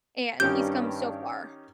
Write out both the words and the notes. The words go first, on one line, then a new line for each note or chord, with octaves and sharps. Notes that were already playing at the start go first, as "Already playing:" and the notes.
And, he's come so far.
G2 D#3 C#4 G4 G6